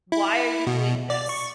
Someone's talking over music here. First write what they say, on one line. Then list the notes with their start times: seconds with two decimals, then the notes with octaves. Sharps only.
why are you doing this?
0.12 E4
0.67 B2
1.10 D5
1.29 C#6